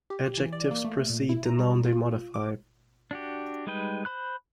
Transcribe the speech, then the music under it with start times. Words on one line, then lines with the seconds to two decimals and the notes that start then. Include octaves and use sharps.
Adjectives precede the noun they modify.
0.10 G4
0.38 E3
0.53 D5
0.71 A#3
0.85 A3
1.09 A#2
1.29 E4
1.46 A#5
1.59 G3
1.85 F4
2.34 D6
3.11 D4 F#4 G4
3.67 G3 G#3 D#4 B4 G5
4.05 C5 B5 F#6